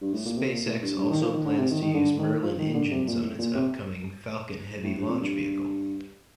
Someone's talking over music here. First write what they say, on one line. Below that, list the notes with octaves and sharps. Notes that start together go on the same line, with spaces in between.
SpaceX also plans to use Merlin engines on its upcoming Falcon Heavy launch vehicle.
G2
A2
A#2
C3
A#2
A2
G2
G2
D#3
F3
D#3
D3
C3
D#3
D#3
D3
D#3
F3
D#3
D3
C3
A#2
A2
A#2
C3
A2
G2
F2
G2